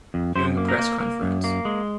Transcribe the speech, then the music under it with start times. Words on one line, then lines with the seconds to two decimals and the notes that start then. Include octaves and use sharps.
During a press conference.
0.14 F2
0.35 F#2 C5
0.57 A#3
0.69 A#4
0.79 A#3
1.01 A#3
1.22 F#2
1.44 A#3
1.65 G#3